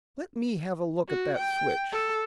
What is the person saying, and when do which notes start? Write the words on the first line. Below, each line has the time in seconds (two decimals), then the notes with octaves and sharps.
"Let me have a look at that switch."
1.08 F#4
1.37 G5
1.92 A4